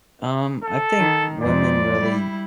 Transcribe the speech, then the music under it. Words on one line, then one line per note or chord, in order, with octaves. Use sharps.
Um, I think women really
A4
D#3
F2 G#3 D5
G3 E4